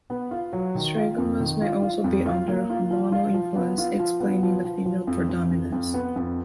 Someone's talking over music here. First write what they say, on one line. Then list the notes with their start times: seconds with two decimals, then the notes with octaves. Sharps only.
Syringomas may also be under hormonal influence explaining the female predominance.
0.10 B3
0.31 F4
0.53 F#3
0.75 D#3
0.96 F4
1.18 F2
1.40 D#3
1.61 F4
1.83 F4
2.04 F2
2.26 F4
2.48 A#3
2.70 F4
2.90 F3
3.12 F4
3.34 F3
3.56 B3
3.78 F4
3.99 F3
4.20 B3
4.43 F3
4.65 F3
4.86 F3
5.07 F2
5.29 F2
5.51 F2
5.72 F2
5.94 B3
6.16 F2